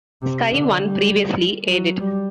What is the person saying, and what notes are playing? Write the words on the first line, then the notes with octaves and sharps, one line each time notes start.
Sky One previously aired it.
C3
D3
G3
F#3
G3